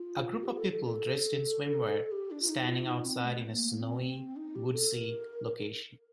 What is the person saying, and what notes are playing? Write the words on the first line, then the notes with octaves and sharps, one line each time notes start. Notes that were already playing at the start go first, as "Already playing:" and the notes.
A group of people dressed in swimwear standing outside in a snowy, woodsy location.
Already playing: F4
G4
A4
A4
A4
G4
D4
F4
D#4
F4
D#4
C4
A3
A#3
C4
D#4
G4
A4
A#4